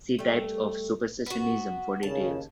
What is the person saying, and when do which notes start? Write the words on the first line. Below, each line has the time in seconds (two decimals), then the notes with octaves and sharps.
See types of Supersessionism for details.
0.19 G3 A3
1.26 B3 F#4
2.03 D#2 C#3 A5